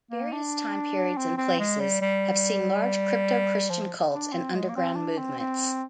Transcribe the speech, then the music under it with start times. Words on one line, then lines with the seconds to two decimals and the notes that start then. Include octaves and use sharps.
Various time periods and places have seen large crypto-Christian cults and underground movements.
0.11 A#3
0.33 D4
1.17 C4
1.38 C4
1.59 G#3
1.80 G3
2.02 G3
3.70 F3
4.13 D4
4.33 C4
4.54 G#3
4.69 A#3
4.76 C4
4.96 D4
5.18 C4
5.39 C4